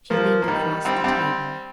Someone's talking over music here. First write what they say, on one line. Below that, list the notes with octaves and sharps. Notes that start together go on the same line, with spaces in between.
She leaned across the table.
F3 A#3
A#3
D#3 G3
G3 C4
G3 C4